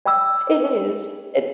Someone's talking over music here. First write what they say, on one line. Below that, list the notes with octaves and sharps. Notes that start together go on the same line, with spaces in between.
It is, and
D5 G5 B5 D6 E6